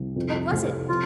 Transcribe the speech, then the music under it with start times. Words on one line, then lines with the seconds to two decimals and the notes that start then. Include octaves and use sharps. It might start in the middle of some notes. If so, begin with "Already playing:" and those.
What was it?
Already playing: C2
0.16 F2
0.52 F1
0.89 F3 F4